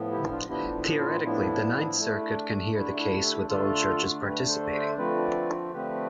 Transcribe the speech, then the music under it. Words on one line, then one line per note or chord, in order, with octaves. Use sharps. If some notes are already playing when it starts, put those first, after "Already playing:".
Theoretically, the Ninth Circuit can hear the case with all judges participating.
Already playing: A2 F3 B3
E4 G4
D4 F4
A2 F3 B3 D4 E4 G4
D4 F4
A2 F3 B3 D4 E4
D3 A3 D4
D3 A3 D4 E4
E4
E4 G4
D3 A3 D4 F4 A4
D3 A3 D4 G4 B4
A4 C5
C5 E5
D3 F3 A3 C4 B4 D5
D3 F3 A3 C4 G4 B4